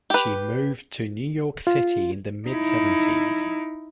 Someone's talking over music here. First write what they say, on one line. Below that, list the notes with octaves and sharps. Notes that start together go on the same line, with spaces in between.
She moved to New York City in the mid-seventies.
G4 B4
F4
D#4 E4